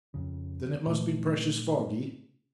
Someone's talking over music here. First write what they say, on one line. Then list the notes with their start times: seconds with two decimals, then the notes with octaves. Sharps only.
Then it must be precious foggy?'
0.14 F2 C#3
0.86 A#2 F#3 G#3 A3